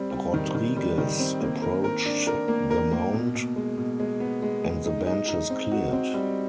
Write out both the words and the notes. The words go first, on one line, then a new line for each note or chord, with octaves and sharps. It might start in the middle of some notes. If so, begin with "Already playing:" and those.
Rodriguez approached the mound and the benches cleared.
Already playing: G3 C4
G3
D#3
D#3
G3
D#3
C4
A#3
A#4
A#4
D4
A#4
A#3
A#4
A#3
B2
B2
G#3
B2
G#3
B3
G#3
G#3
D#4
D#4
D#4
C4
F#4
C4
G3